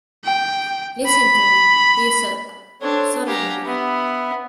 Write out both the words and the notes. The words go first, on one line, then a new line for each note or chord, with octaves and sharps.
"Listen to me," he said solemnly.
G5
B5
C4 D4 A4 C#5
G4 F5 F#5 G#5 A#5
B3 E5 B5